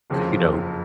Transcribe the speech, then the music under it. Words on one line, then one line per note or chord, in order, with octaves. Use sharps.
you know,
F#1 F2 C#3 F3